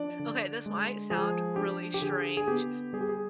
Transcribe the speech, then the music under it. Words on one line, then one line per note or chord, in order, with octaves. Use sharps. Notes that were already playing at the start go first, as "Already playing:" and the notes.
okay this might sound really strange
Already playing: F3 D4 D5
D3
G#3
F3 G#4
D4 G4
G4
D3 G#4
G#4
B3 G4
G3 G#4
G4
G#4